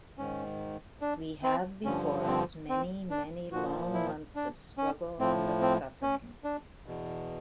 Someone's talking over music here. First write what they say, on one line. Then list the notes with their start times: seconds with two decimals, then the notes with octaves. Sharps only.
We have before us many, many long months of struggle and of suffering.
0.18 G#2 D#3 C#4
1.01 D4
1.43 C4
1.85 G2 D3 F3 C#4
2.27 C4
2.69 C4
3.10 D4
3.52 A#2 F3 F#4
3.94 E4
4.36 D4
4.78 C#4
5.19 A2 F3 C4
5.61 C4
6.03 C#4
6.44 D4
6.86 E2 B2